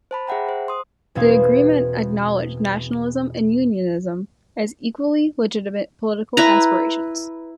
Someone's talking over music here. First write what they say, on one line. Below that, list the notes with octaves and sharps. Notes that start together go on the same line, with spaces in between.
The agreement acknowledged nationalism and unionism as "equally legitimate, political aspirations".
C5 A5 B5
G#4 E5 F#5 G5 A#5
C5
C6 D#6
E2 B2 C4 C#4 F5 G#6
E4 B4 A#5